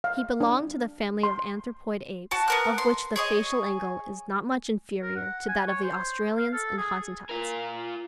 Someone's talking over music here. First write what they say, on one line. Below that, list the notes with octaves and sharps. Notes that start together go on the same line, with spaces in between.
He belonged to the family of anthropoid apes, of which the facial angle is not much inferior to that of the Australians and Hottentots.
F5
D4
C6
F#4 A5
B3 A#4 F#6
C6
G#4 C#5 D#5
A#4
F#5
G#5
C#5
C5
F5
A4
G#4
F4 A#4